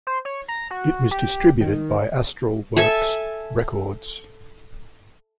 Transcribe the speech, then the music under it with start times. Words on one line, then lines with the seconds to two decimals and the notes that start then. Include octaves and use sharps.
It was distributed by Astralwerks Records.
0.07 C5
0.25 C#5
0.48 A#5
0.71 F#4
1.11 G4
1.60 D#3
2.77 A4 E5 G#5